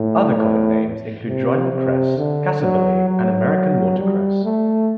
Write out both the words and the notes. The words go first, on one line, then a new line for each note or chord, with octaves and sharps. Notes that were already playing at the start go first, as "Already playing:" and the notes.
Other common names include dryland cress, cassabully, and American watercress.
Already playing: A2
A2
C3
C3
D3
F#3
F#3
G3
A3